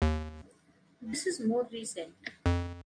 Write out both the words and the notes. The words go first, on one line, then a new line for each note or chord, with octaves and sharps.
This is more recent.
D#2
F2